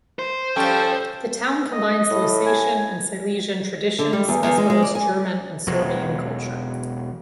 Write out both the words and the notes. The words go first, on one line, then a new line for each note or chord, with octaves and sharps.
The town combines Lusatian and Silesian traditions as well as German and Sorbian culture.
C5
F3 G3 C#4 A4 G5
D#5
A2
G#5
D3
G3
E2
E2
G#3
G#3
D5
G#5
E1 F#3